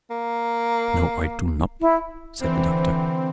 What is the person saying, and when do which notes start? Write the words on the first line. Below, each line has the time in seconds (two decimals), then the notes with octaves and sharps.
"No, I do not," said the Doctor.
0.10 A#3
1.81 E4
2.40 D3 E3 C4